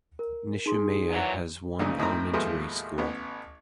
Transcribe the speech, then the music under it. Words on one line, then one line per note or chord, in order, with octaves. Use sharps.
Nishimeya has one elementary school.
A#4
D#4 G#4 C6
A#2 E3 F#3
G#1 D2 A#2 C#3 D#4
D#2 A2 D#3 C4 A#5
D#2 A2 F3 G#3 A3 B3
A1 B3